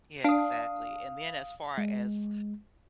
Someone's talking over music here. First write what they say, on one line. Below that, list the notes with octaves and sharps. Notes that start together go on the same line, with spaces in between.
Yeah, exactly, and then as far as,
D4 F5 D#6
G#3